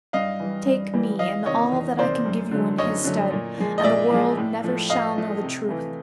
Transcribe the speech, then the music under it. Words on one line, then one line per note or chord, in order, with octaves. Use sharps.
Take me and all that I can give you in his stead, and the world never shall know the truth.
G2 D#5 F5
E3 G3
G2
E3 G3
E2 D#5 F5
C3 D#3 C#5 D#5
E2
C3 D#3 C5 D5
F#2
D3 F#3 A3
F#2 C#5 D#5
D3 F#3 A3
A#2
F3 G#3
D#5
A#2 D5 E5
F3 G#3
A2
F3 A3
A2 D#5 F5
F3 A3
C3
E3 A3